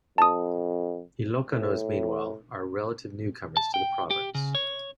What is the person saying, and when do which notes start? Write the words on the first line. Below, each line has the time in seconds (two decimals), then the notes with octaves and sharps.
Ilocanos meanwhile, are relative newcomers to the province.
0.18 F2 A5 D#6
1.49 A2
3.57 A5
3.74 G5
4.11 G4
4.35 C#3
4.55 C#5